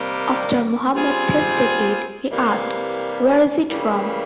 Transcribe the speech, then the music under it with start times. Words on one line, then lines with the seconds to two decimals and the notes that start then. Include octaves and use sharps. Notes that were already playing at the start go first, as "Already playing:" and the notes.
After Muhammad tasted it, he asked, Where is it from?
Already playing: C3 D#3 G3 A#3
0.94 G3 C4 F4 G#4
2.31 C3 E3 G3 A#3
3.69 C#3 E3 G3 A#3